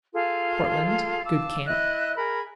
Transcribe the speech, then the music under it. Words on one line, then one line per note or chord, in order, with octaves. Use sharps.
Portland.--Good camp.
F4 G#4 A4 F5
F5 A5 D6 E6
E4 D#5 E5 F#6
G#4 A#4 B5